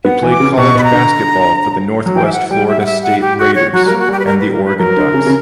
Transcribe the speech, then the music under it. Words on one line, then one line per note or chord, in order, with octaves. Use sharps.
He played college basketball for the Northwest Florida State Raiders and the Oregon Ducks.
B3 F#5
E3
D6
C#3
B2 C#6
B2 B5
A#5
D3
F#3
E3 G5
E5
F#5
G3 G5
E5
F#5
E5
F#5
G4
F#4
C#5
F#3 F#4
G3 A#4
A#3
F#4
G3 G4
B4
A#4
B4
A#4
B4
F#3 A#4
D3
C#3
C#3